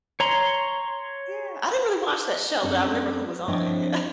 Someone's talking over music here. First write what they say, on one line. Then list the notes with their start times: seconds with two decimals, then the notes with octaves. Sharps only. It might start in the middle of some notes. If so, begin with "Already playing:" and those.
Yeah, I didn’t really watch that show, but I remember who was on it. Yeah.
0.20 C#5 A#5 C6
2.62 F#2 C4 D4 A4
3.48 F3 C4 D4 E4 C#5 D#5